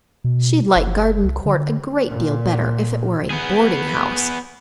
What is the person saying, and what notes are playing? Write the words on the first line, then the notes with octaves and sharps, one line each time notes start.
She'd like Gardencourt a great deal better if it were a boarding-house.
B2
F#1
C2
D3
A#2
B3 G#4